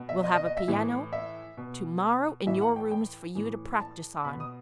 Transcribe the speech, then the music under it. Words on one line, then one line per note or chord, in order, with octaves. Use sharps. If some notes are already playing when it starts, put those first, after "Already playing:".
We'll have a piano tomorrow in your rooms for you to practise on.
Already playing: B2
E5
D#5
D#5
D#5
E5
A2 E3
E5
B2
A2 E3 E5
F#5
G5
G5
A2 E3
A5
B2 B5
D#6